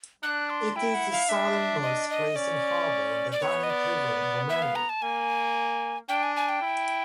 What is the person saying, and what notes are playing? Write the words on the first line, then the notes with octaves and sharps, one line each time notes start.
It is the southernmost place and harbour on the Danube river in Romania.
D4 F#6
C6
E4 G5
F#5
F5
D4 E5
D#5
D#5
C#4 D5
D5
B3 C#5
D#5
D5
E5
F5
A#5
A5
A#3 G#5
D4 G5
G#5
G#5
G5
E4